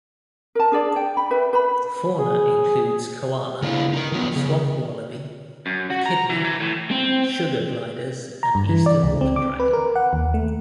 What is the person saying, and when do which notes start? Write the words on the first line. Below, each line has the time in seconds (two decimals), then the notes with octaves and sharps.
Fauna includes koala, swamp wallaby, echidna, sugar gliders and eastern water dragon.
0.55 A#4 A5
0.72 D4 G#4 D5
0.96 G5
1.17 B5
1.31 B4 E5
1.53 B4 B5
2.19 G#4
3.62 C#3 A#3 D4 E4
3.93 D#4 A#4
4.12 D#3 F3 F#3 B3
4.36 C#3
5.66 F#2
5.90 F#4
6.06 A#5
6.30 E3
6.44 E3
6.60 A2
6.91 C4
8.43 A#5
8.55 G2
8.69 E3
8.86 D5
9.03 C#2
9.21 C4
9.36 D6
9.60 B4
9.73 A#4
9.96 F#5
10.13 D#2
10.34 A3